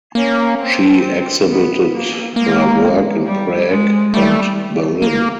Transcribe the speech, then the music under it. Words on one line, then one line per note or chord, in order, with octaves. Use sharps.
She exhibited her work in Prague and Berlin.
A#3 C#4
C4
B3
A#3
G#3 A#3
G3
G#3
G3 A3
A#3